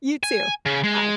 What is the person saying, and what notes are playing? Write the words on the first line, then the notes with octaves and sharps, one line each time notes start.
You, too. Bye.
G#5
C#3
G#3